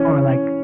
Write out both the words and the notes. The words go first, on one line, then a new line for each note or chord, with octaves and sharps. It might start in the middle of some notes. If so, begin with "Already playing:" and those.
or, like
Already playing: E3 C#4 C#5